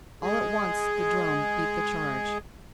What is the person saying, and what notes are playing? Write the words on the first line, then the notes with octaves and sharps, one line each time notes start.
All at once, the drum beat the charge.
G#3 G#4